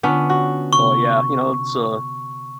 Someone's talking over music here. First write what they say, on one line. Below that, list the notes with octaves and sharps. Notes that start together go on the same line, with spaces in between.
oh, yeah. You know, it's, uh
D3 B3 C#4 D4 F4
F#4
C3 B3 C#6